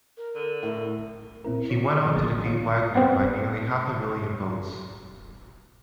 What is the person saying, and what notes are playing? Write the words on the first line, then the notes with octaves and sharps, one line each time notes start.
He went on to defeat Wagner by nearly half a million votes.
A#4
D3
A2 A#4
A#2 C4 E4 A#4
C#5 B6
F#4 A4
G#2 F3 G#4 D5 D#6
A1 D#3 F3 A#3 G#4 A6
F4 C#5
B3 C4